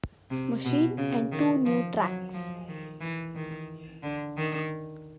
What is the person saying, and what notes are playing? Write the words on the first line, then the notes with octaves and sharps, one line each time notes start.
Machine, and two new tracks.
C3
B2
C#3
D#3
F3
F#3
F3
D#3
E3
D#3
D3
D#3